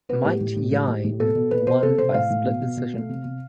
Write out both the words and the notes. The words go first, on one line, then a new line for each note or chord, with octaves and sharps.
Mite Yine won by split decision.
B3 B4
A2 G4
A2
A2
A2
A2
A2
B2 A4
B2
B2 B4
B2 C5
C3 A4
C3 C5
A2 F5
A2
B2
B2
B2
A3
C3
C3